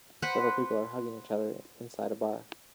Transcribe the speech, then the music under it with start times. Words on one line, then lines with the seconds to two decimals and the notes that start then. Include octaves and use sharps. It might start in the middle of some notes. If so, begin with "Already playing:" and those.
Several people are hugging each other inside a bar.
0.22 B4 C5 F#5